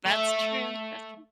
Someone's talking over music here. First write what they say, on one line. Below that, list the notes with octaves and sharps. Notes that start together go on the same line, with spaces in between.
That's true. That's true.
A3 E5